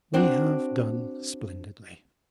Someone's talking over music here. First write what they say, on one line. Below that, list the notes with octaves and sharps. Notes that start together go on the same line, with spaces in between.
We have done splendidly.
C4 D4 F#4